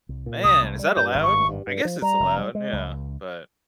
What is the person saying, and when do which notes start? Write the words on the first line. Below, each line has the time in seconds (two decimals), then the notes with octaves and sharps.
Man, is that allowed? I guess it's allowed, yeah, but
0.09 C2
0.26 A#2
0.44 C2 D#6
0.62 C2
0.79 G3
0.97 G2 G6
1.15 G#1
1.23 C#6
1.32 G2
1.49 G2
1.67 G2
1.85 F3
2.02 G3 A#5
2.20 F1
2.38 G3
2.55 G#3
2.73 C#2